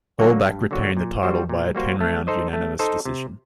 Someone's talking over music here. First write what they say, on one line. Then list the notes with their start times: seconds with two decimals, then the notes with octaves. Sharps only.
Hallback retained the title by a ten round unanimous decision.
0.19 D3 F#3 A#3 F#4
0.45 G2
0.71 D3 F#3 A#3 F#4
0.97 A#2
1.23 G3 A#3 F#4 C5
1.49 A#2
1.75 G3 A#3 F#4 C5
2.01 A3
2.27 D#4 A4 C5 D#5
2.53 A3
2.79 D#4 A4 C5 D#5
3.05 C3